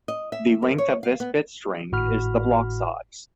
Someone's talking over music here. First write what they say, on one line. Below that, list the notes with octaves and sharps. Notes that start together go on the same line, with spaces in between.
The length of this bit string is the block size.
D#5
E5
A#4
C#5
F5
B3
G#1 A2 F#4 B5 F6